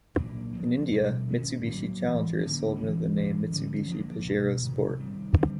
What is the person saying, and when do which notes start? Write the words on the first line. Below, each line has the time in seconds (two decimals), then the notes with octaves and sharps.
In India, Mitsubishi Challenger is sold under the name Mitsubishi Pajero Sport.
0.16 A#2 F#3 A#3 D4
0.53 F3 G#3 C4
0.90 B2 G3 B3 D4
1.27 D#3 G#3 C#4
1.64 A2 F#3 A#3
2.02 A2 E3 G#3
2.39 D3 F#3 A#3 C#4
2.77 E3 G#3 C#4
3.14 A2 E3 G#3 C#4
3.51 D3 F3 G#3 C#4
3.87 F3 A#3 D4
4.25 B2 G#3 B3
4.63 C3 D#3 G#3
4.99 D#3 G3 C4
5.36 D3 G3 C4